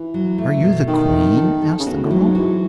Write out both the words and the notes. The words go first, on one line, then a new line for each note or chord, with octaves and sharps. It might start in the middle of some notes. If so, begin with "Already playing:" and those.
"Are you the Queen?" asked the girl.
Already playing: E3
F#3
A3
B2
D#3 E3
D#4
A4
A4
C#3
B2 F#4
A2
F#3
G#2
E3 F#4